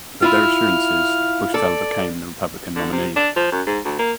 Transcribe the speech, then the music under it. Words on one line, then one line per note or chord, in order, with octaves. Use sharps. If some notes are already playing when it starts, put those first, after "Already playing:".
With their assurances, Buchtel became the Republican nominee.
E4 F4 F5 F6
A4 D5
D3
C3
D4
F3
F#2
G#2
D2
A#3